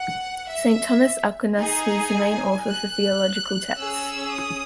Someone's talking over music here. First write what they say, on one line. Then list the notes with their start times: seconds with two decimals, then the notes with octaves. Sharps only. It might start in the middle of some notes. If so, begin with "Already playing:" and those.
Saint Thomas Aquinas was the main author for theological texts.
Already playing: F#5
0.47 E5
1.58 D#4 G#4 G#5
2.68 F#6
3.79 C#4 G#4 E6
4.34 D#6